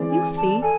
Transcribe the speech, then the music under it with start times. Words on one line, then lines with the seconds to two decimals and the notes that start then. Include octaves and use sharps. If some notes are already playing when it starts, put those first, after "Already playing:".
You'll see.
Already playing: E3 G#3 C4 G#4 D5
0.10 G#5
0.37 A5
0.62 A4 G#5